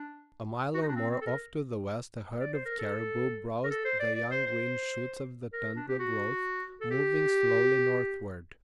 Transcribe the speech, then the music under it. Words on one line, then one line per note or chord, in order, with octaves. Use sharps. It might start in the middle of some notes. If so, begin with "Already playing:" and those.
A mile or more off to the west a herd of caribou browsed the young green shoots of the tundra growth, moving slowly northward.
Already playing: D4
F#4
D#4
D4
C4
C4
A4
A#4
D5
C5
A#4
A4
A#4
A4
C5
D5
D5
C5
C5
A#4
D4
G4
F#4
A4
G4